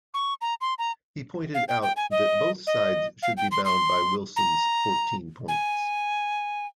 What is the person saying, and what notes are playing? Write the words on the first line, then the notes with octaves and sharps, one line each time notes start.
He pointed out that both sides should be bound by Wilson's Fourteen Points.
C#6
A#5
C6
A#5
F5
G5
G5
G#5
D#5
D#5
F5
G5
C6
C6
A#5
G#5